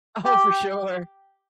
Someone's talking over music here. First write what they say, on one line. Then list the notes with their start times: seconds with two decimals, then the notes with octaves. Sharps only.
Oh, for sure.
0.24 G4